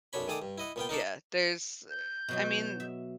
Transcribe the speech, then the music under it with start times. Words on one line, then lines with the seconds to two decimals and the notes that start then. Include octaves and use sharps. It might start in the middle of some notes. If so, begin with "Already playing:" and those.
Yeah, there's, eh, I mean,
0.13 B1 F#2 D4 C#5 B5
0.28 D#3 A3 G#4 D5 D6 D#6
0.42 G2
0.58 E4 D#5 F#5
0.76 A#2 B3 F4 G5
0.89 D#4 A#4 D5 A5
1.90 G6
2.29 B2 F#3 F#4
2.80 E5